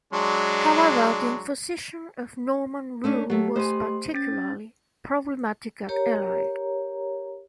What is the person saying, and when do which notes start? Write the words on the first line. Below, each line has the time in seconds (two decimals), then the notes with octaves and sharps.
However the imposition of Norman rule was particularly problematic at Ely.
0.13 F#3 G#3 D4
3.04 A3 C#4 D4
3.30 F#3 A3 G4
3.56 A3 G4 C5 G#5 C6
4.14 C#4 A6
5.89 G4 A#4 C#5 A#5